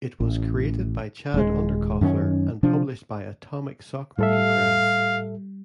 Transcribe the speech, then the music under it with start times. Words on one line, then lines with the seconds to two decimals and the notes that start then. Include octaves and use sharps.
It was created by Chad Underkoffler and published by Atomic Sock Monkey Press.
0.20 A1
1.34 D#1 G#3
2.01 F#2 D#3 C#4
2.63 C3 F3 D4
4.19 A2 G3 A4 E5 F5